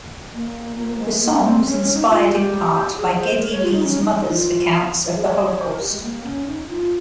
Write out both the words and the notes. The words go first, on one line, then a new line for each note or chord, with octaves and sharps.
The song was inspired in part by Geddy Lee's mother's accounts of the Holocaust.
A#3
A#3
A#3
G#3
G#3
A#3
C4
C#4
C#4
D#4
F4
G4
G#4
C5
A#4
C#5
F4
D#4
C#4
D#4
D#4
F4
G#4
C#5
D#5
C#5
C5
A#4
G4
G#3
A#3
C#4
D#4
F4